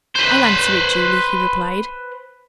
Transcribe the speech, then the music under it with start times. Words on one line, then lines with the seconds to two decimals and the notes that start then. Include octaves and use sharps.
"I'll answer it, Julie," he replied.
0.15 B4 C5